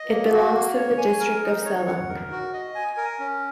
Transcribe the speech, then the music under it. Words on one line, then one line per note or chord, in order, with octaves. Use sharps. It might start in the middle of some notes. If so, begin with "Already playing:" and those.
It belongs to the district of Celle.
Already playing: D#5
A#3
F#4
A#3
C#5
G#5
A#4
D#4
C#5
F#5
A#4
F#4
D#5
G#5
A#4
C#4